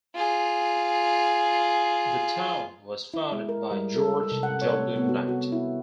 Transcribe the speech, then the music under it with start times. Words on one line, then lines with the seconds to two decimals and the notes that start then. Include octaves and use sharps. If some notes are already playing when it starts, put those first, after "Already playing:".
The town was founded by George W. Knight.
0.15 F4 G#4
3.14 E4
3.32 G#3
3.49 A#4
3.71 G3
3.96 A4
4.32 C3
4.43 F#5
4.62 C#5
4.96 B3
5.09 F#4
5.28 F#4
5.52 E4